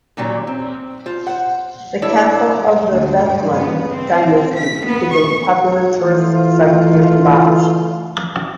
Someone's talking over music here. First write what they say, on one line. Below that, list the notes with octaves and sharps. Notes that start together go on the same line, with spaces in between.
The castle of the Bethlen dynasty is a popular tourist site near Blaj.
A#2 D#3 F#3 G3 C#4
C4
F4 C5
C5 F#5
D4 E4 A4 C#5
D2
G2
B3
C4
B6
B3
C#6
E3 A3 F4